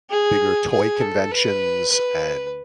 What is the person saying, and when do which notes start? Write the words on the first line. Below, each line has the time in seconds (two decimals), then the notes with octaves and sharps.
bigger toy conventions and
0.10 G#4
0.71 G#4
1.01 A4
1.32 B4
1.92 B4